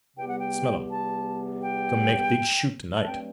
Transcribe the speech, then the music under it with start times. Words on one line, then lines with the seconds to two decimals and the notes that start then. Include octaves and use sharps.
Smell um--come make big shoot to-night.
0.16 E2 C3 G3 B3 G5
0.27 F#5
0.38 G5
0.89 A5
1.62 G5
2.95 A5
3.06 G2 F#3 A3 C4 G5